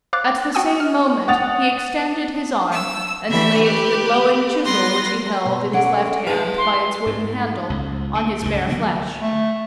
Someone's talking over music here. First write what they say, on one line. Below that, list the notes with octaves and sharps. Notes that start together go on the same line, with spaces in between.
At the same moment he extended his arm, and laid the glowing chisel which he held in his left hand by its wooden handle on his bare flesh.
C5 F5 D6 F#6 A6
F#4 G5 G#5 D#6 E6
F6
F#5 D#6 A6 F7
E6
D3 E3 A3 G4 E5 B5
G4 B4
G3 B3 B4 C6 A#6
B2
D3 C#4 F#5
G#3 E4 B4
C6
G#2
C#2
D3
C#2 G2
D3 F#3 A#3 B3
A3